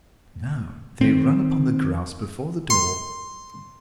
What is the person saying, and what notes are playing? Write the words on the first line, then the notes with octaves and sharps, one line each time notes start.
Now they run upon the grass before the door.
D#3 C4
C6